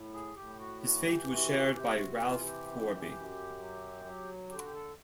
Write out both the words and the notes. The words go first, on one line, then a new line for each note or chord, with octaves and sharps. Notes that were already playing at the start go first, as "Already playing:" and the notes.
His fate was shared by Ralph Corby.
Already playing: A2
G#4
A2 G4
F#4
E3 F#4
G4
C3 F#4
F#4
C3 G4
F#4
E3 F4
G4
F#2
F#2
F#3
F#3
D3 G4
F#4
G4
A4